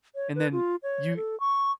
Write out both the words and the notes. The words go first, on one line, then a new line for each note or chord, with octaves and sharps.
And then you
C#5
B4
F4
C#5
A4
C#6